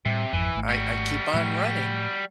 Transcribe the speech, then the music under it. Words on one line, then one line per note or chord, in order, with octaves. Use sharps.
I I keep on running.
A2 C3 G3
G#1 F2 E3
G#1 A3
G3 F#4
A2 F3 A3